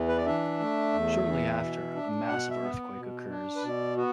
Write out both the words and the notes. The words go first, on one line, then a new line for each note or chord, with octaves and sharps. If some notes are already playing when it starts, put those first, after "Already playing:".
Shortly after, a massive earthquake occurs.
Already playing: E2 E3
B4
D5
D4 E5
A3
E2
E3
B2
D4
B2 F#5
E5
B3
B2
D4
B4
B2 D5
B3 F#4